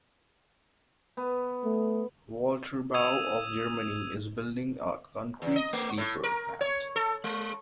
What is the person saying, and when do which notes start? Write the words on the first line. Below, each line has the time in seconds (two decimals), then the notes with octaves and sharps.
Walterbau of Germany is building a concrete sleeper plant.
1.17 B3
1.64 A3
2.94 D#6 E6 G#6 D#7 F7
5.42 E2
5.56 D#5
5.73 A3
5.98 A2
6.23 A#4
6.61 C#5
6.96 A4
7.24 G#3